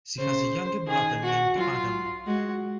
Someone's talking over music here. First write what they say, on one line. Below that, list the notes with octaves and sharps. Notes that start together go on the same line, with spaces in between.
She has a younger brother named Adam.
C#3 C5
D#3 G#4
F#4
F#3 F4
G#3 F#4